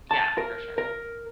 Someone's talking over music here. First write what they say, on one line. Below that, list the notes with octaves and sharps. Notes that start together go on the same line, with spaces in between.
Yeah, for sure.
A5
A#4
A#4